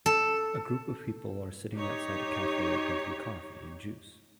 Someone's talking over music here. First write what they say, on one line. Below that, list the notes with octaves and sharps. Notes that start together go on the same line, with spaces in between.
A group of people are sitting outside a cafe drinking coffee and juice.
A4
D#4 G4 C#5